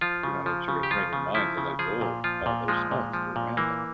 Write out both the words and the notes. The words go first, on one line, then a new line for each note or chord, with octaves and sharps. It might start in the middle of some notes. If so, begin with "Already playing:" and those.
you wanna sort of train your mind to let go of all those thoughts that are random.
F3 F4
C#3
F3
C#3
G4
F3 F4
C#3
F3 E4
C#3
F3 G#4
A#2
F3 F4
A#2
F3 G#3
A#2
F3
A#2
E3 A#3